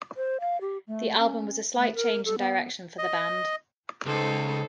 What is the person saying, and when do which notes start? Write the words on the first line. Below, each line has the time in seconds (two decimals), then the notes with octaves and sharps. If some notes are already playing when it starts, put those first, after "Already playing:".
The album was a slight change in direction for the band.
0.16 C5
0.40 F5
0.61 G4
0.87 A3
1.19 C#4
1.78 A3
1.95 A#4
2.25 A4
2.38 B3
2.98 D#5
4.06 C#2 D#4 A4 C5